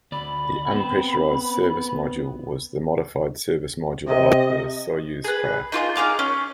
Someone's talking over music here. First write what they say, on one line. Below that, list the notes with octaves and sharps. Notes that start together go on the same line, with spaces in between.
The unpressurized service module was the modified service module of a Soyuz craft.
D2 D5 B5
B3 C4
C3 D#5
G#4 B4
D#4 F4 F#4 G#4
D#4 G#4 F5 D6
C#4